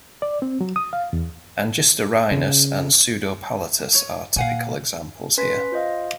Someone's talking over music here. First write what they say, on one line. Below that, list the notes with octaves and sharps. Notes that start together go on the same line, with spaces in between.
"Angistorhinus" and "Pseudopalatus" are typical examples here.
D5
C4
F#3
D#6
F5
E2
C#3
C#5
A#2 F5 F#5 G#5
C#4 B4 C6 B6
F4 C5 D#5 F5